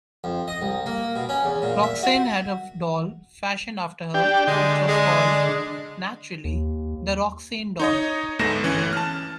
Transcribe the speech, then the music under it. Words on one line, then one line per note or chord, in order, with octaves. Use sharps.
Roxanne had a doll fashioned after her which was called, naturally, "The Roxanne Doll".
F2
D#5
C2
A#3
B2
C#4
E2
A#2
E5
F#4
D4 G4 G5
D3 G#3
G#3
D#2
D#4 C#5 D#5
D2 G#2 A3 B3 A#6 E7
G1 E3 C#4
A5 F6